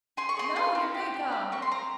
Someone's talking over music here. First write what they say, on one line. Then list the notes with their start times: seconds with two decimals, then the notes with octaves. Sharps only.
No, you're good, go.
0.17 G#4 C6
0.29 C#6
0.37 G#4 C6
0.56 F4 C6
0.75 C4
0.94 G4
1.14 C4
1.32 G4
1.52 C4 C#6
1.62 C6
1.71 C4 A#5